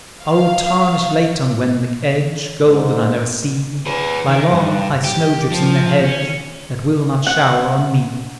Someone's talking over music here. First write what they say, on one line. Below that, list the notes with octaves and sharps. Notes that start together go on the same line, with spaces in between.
Oh tarnish late on Wenlock Edge, Gold that I never see; Lie long, high snowdrifts in the hedge That will not shower on me.
F5
G#2
G#4 B4
D#3
G2
G4
F3
C#4
F#5